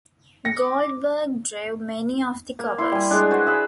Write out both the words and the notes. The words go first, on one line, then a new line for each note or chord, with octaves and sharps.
Goldberg drew many of the covers.
A#6 C#7
D6
A#3
E4 C6
G3 G#5
G#3 D4
F#4 B4 C5
G#4 B4 E5